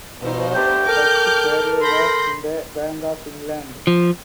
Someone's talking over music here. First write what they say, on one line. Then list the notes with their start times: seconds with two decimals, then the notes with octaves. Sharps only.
Fea’s first career was in the Bank of England.
0.21 G2 B2 B3 D#4 C5
0.55 A3 D4 G4 G5
0.86 A4 A#4 D6 F6 G6
1.81 B5 C6 G6 A#6
3.87 F3